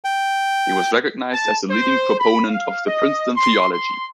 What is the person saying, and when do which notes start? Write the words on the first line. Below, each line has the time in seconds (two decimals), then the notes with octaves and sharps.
He was recognized as the leading proponent of the Princeton theology.
0.04 G5
1.33 A5
1.69 C5
2.19 B5
2.50 F5
2.87 D#5
3.36 C6
3.73 C6